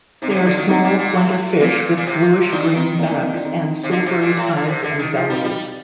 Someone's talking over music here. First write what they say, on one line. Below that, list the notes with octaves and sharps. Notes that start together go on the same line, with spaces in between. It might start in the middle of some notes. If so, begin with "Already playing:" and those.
They are small, slender fish with bluish-green backs and silvery sides and bellies.
C3 C4 D#4
D3
C3
D#3
D3 D4 F4
D#3
D3 C4 D#4
A#2
A#2
A2
A#2 A3 C4
A#2
C3
D#3 D4 F4
D#3 C4 D#4
A#3 D4
A#3 D4
C4 D#4
D4 F4
C4 D#4
C3
D3
C3
A#2
A2
A#2
C3
D3
D#3
F3
F4
G3 C4 D#4
G3